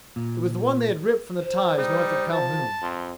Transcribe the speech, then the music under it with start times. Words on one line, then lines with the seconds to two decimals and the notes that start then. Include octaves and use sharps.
It was the one they had ripped from the ties north of Calhoun.
0.16 A#2
1.42 C5
1.78 G3 D#4
2.33 F3 A5
2.82 F2 C6